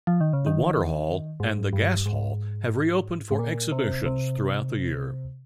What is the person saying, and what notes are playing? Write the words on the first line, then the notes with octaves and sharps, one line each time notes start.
The Waterhall and the Gas Hall have reopened for exhibitions throughout the year.
F3
D#3
C#3
D#3
G#2
G2
G#2
G#2
A#2
C3
C3